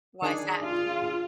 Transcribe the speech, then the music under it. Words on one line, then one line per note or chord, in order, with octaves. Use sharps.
Why's that?
D#3 D4 G#4
F4